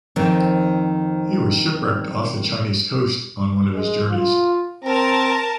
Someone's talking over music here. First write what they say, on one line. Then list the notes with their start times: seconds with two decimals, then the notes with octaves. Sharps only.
He was shipwrecked off the Chinese coast on one of his journeys.
0.16 F2 D#3 C4
3.75 G#3
4.11 F4
4.84 C4 A#4 A5